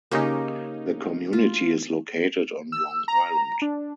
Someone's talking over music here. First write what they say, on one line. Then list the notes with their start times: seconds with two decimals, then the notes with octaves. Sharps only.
The community is located on Long Island.
0.11 C#3 A#3 C#4 D#4 G4
1.33 F4
2.72 E6
3.08 A#5
3.62 D4